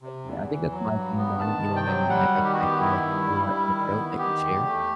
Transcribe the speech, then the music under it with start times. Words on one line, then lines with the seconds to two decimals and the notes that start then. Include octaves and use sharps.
But yeah, I think that's my opinion on it, you know what I mean? I I did like your anecdote that you shared.
0.02 C3
0.25 E2
0.49 E3
0.71 F#3
0.95 G2
1.18 B3
1.40 D#3 A5
1.64 C3
1.76 G5
1.87 F#3
2.09 G3 F#5
2.34 D#3
2.44 G4
2.53 F#4
2.57 B3 G4
2.79 D#3 E4
3.03 G2
3.26 G3
3.50 G3
3.73 D#3
3.96 B3
4.18 D#3 G4
4.41 E2
4.65 A3